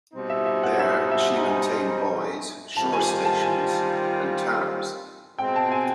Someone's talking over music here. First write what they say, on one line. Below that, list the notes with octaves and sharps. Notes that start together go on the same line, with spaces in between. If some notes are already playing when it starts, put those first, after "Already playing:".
There she maintained buoys, shore stations, and towers.
B2 G3 C4 D#4
E5
E5
F#5
E5
E5
G#5
D#3 G3 C4 F4 A5
G#5
G#5
A5
G#5
B2 G#3 C4 G5
A5
G#5